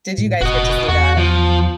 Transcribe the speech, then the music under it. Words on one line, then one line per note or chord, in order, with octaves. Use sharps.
did you guys get to see that?
A2
F1 F#4 D#5
E2 F#4
F3